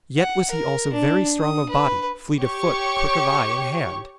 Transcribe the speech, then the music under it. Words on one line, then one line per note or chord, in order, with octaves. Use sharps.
Yet was he also very strong of body, fleet of foot, quick of eye and hand.
F#5
A#4
D4
D#6
B4
G4 C#5 C#6